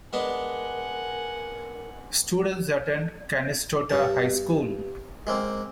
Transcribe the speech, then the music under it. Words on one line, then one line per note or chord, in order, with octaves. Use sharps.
Students attend Canistota High School.
G#3 B3 D4 A#4 F#5 G#5
G2 A5
G#3 A#3 C4